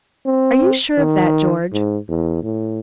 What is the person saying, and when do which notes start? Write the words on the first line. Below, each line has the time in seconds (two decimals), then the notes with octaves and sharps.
"Are you sure of that, George?"
0.26 C4
0.98 D#3
1.72 G#2
2.08 E2
2.43 A2